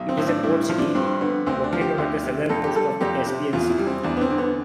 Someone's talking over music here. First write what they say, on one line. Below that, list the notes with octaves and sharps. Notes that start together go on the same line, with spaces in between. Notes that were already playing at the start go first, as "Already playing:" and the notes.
It is a port city, located on the southern coast of the Caspian Sea.
Already playing: B1
C4
A2
D4
G2 E4
E4
F3
D4
G2 C4
D3 B3
D2 C4
D4
F3
G4
D2
C3
F2 A4
G4
G3 A4
F2 G4
C3
E2 F4
E4
G3
C4
E2 D4
B3
C4
D3
B3